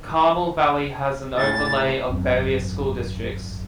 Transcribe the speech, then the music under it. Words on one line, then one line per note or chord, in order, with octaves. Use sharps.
Carmel Valley has an overlay of various school districts.
C#2 A2 C#3 A6
G#1 F#2 C4 C#4